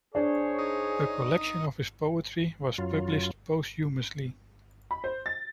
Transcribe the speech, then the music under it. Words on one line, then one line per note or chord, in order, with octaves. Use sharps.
A collection of his poetry was published posthumously.
D4 G#4 C5 C#5
D#4
F#2 F#3 F4
B5
C5
A6